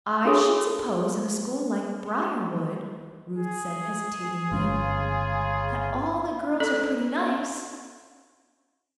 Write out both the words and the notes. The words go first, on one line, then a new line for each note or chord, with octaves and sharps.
"I should suppose in a school like Briarwood," Ruth said, hesitatingly, "that all the girls are pretty nice."
D4 F#4 G#4 A4 C#5
G#4
G1 C#3 G#3 C#4 F4
C#4 A4 D5